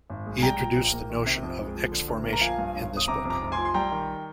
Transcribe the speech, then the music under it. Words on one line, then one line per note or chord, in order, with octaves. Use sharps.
He introduced the notion of exformation in this book.
G#1
G#3
G#5
G3 G5 A#5
A#2
A#1
A#3
D#3
C3
F2
G#3
F3
D3
D2
A#3
A#5
F3 F5 G#5
G2
G1
G1 D#6
C3 A#5 D6
F2
A#5 D6
F1
G#5 C6
F3
C6
G3 G5 A#5
D#3